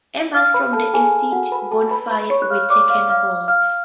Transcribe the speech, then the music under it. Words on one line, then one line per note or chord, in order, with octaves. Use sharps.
Embers from the extinct bonfire were taken home.
F5 F6
B4 B5
A4 A5
G#4 G#5
F#4 F#5
B4 B5
A4 A5
B4 B5
B4 B5
C#5 C#6
F#6
F5 F6
D5 D6
F5 F6
F5 F6
F5 F6